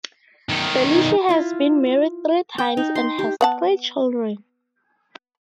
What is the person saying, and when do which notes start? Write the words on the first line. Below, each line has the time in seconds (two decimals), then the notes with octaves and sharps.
Belushi has been married three times and has three children.
0.49 B1 D#3
0.93 D#4
1.29 E4 F4
2.58 G5
2.77 D#4
2.95 C6
3.19 G4
3.41 B3 F#5 A5